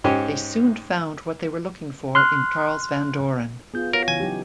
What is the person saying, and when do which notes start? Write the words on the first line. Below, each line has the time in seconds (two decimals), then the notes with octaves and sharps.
They soon found what they were looking for in Charles Van Doren.
0.04 G#2 C#4 G4
2.15 C6 F6 F#6
3.74 B3 F4 G#4 G6
3.93 F#4 A#4 C#5 F5 A#6
4.08 C#3 E3 G#5
4.20 F#3 D#4 G4